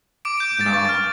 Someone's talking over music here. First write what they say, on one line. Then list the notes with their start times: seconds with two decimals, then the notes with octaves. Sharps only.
you know,
0.25 D6 D7
0.38 D7
0.40 G6
0.57 G6 A6
0.73 C#6 A6
0.85 F6 A6